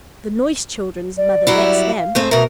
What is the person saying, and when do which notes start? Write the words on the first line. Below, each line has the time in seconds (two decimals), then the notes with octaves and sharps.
"The Noyse children's mother lets them."
1.17 D5
1.47 F#3 G3 E4
1.98 F5
2.15 G#2 A3 C4
2.31 B2 A#4 E5